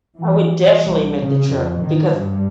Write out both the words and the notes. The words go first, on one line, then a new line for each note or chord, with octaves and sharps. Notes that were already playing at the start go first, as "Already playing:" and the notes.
I would definitely make the trip, because
E3
C2
C#3
F2
D#3
G2